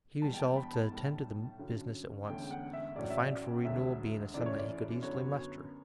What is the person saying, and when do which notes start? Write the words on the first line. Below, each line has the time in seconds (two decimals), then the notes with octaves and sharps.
He resolved to attend to the business at once, the fine for renewal being a sum that he could easily muster.
0.22 E1 E2 B2 G3 A5
0.34 G5
0.39 A5
0.56 B5
0.73 A5
0.90 B1 A2 G3
1.59 G2 D3 F#3 C#4
2.27 E1 E2 D3 A3 C#4 G5
2.44 G5
2.51 F#5
2.73 E5
2.96 A1 A2 F#3 C#4 D5
3.10 E5
3.22 D5
3.65 E1 D2 D3 F#3 E5
4.34 F#2 C#3 E3 A3 D5
4.46 C#5
4.59 D5
5.02 F#2 D3 F#3 B3 C#5